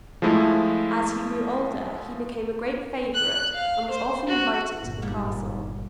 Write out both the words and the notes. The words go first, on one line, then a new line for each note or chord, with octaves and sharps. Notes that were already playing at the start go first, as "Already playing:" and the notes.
As he grew older he became a great favorite and was often invited to the castle.
F3 G#3 A3 E4
F#6
F5
C5
F#4
G1 A#2
G#2 G3 A#3